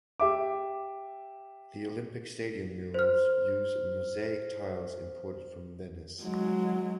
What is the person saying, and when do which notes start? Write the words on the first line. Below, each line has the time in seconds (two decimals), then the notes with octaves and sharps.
The Olympic Stadium murals use mosaic tiles imported from Venice.
0.20 G4 E5 D6
2.94 C5 F6
6.23 F#3 G#3